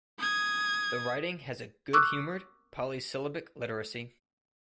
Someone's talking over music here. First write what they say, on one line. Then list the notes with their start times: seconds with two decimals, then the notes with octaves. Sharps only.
The writing has a good-humored polysyllabic literacy.
0.19 D#6 G#6
1.93 C#6 D6 E6 F#6